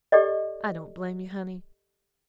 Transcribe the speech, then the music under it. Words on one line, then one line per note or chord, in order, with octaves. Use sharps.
I don't blame you, honey.
G4 A4 D5 D#5